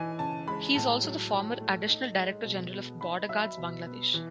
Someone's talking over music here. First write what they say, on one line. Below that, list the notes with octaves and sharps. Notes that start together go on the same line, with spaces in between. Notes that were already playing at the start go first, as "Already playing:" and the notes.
He is also the former additional director general of Border Guards Bangladesh.
Already playing: E3 D#4 G#5
C#3 A5
G#3 B5
A2 A5
F#3
A2
A3
D#4
G#3
B2
B3
D#4 B5
F#3 E5
B2
B3
E3